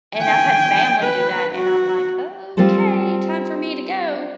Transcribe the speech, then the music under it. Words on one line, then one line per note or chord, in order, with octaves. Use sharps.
and I've had family do that, and I'm like, "Okay, time for me to go."
G5 G#5
B4
F#4
G3 C4 F4 A4 C5